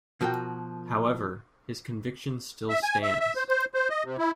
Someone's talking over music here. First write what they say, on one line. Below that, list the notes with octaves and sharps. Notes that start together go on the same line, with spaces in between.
However, his conviction still stands.
B2 F3 F#4 A#4 G5
E5
G#5
E5
E5
C5
C5
C5
D#5
C3
E4